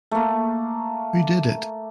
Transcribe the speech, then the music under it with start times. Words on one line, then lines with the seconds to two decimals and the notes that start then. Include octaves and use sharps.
Who Did It?
0.11 A3 A#3